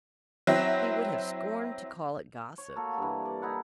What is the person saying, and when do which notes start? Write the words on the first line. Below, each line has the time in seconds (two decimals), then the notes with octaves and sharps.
He would have scorned to call it gossip.
0.47 F#3 C4 E4
2.58 C#5
2.76 A#3 F#4 A4
2.98 G2 E3
3.25 D5
3.42 D#4 E4 F#5